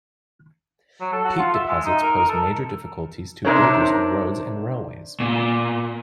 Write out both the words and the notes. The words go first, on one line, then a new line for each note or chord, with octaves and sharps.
Peat deposits pose major difficulties to builders of roads and railways.
F#3
A4
F#4
F4
E5
G#3
D#4
A#4
A#4
A4
C3 D4 D#4 A#4 C5 C#5
A#2